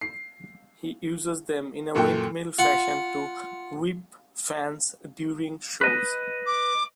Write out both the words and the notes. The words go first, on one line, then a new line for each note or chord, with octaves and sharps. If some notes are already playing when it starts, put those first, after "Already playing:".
He uses them in a windmill fashion to whip fans during shows.
C7
F#2 A#2 F#4 A4 G5
F4 F#5
B4 D#5
D6